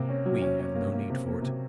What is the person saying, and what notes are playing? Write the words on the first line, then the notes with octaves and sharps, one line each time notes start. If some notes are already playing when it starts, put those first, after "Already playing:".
We have no need for it.
Already playing: C3 A#3
C#4
F#3
C#4
C#4
A#3
A#3
C3
A#3
C3